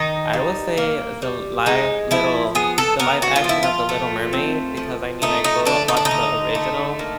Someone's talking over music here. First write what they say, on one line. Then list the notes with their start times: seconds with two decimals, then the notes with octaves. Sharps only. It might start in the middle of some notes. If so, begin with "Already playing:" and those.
I would say the live, Little the live action of The Little Mermaid, because I mean, I grew up watching the original.
Already playing: D#3 D#4
0.33 G3
0.77 A#3
1.22 G3
1.66 G#3 D#4
2.11 F3 E4
2.55 B3 G#4
2.78 A4
2.99 B3 A#4
3.22 F#4
3.36 F4
3.44 F3
3.49 E4
3.63 F4
3.89 A3
4.33 C4
4.77 F3
5.22 A3 D#4
5.44 D#4
5.65 D3 D4
5.88 D#4
5.97 D4
6.05 D#4
6.11 D3
6.55 A3
6.99 A#3